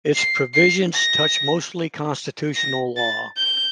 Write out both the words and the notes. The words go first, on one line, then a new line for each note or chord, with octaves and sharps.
Its provisions touch mostly constitutional law.
C7
C7
A#6
A#6
A6
G6